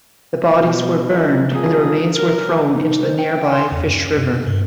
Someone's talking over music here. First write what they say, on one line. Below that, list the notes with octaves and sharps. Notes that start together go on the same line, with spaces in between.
The bodies were burned and the remains were thrown into the nearby Fish River.
B2
F3 G#3 A#3 C#4 E4
F3 G3 A#3 G#4
F#3 A#4
D#4
C5
G5
C6
E2
F#2
C3
G2